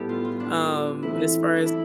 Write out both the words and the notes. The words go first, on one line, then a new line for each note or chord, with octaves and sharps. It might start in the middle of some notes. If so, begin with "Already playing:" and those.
um, as far as
Already playing: A2 G3 B3 E4 G4 A4
F4
F4
D4
E3 A3 C4 E4
D4
E4